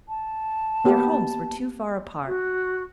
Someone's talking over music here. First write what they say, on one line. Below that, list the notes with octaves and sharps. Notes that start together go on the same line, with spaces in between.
Their homes were too far apart.
A5
A#3 B3 G4
F#4